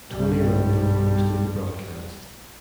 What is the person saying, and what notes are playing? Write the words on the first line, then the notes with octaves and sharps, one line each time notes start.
Tony Randall hosted the broadcast.
B1 G2 G3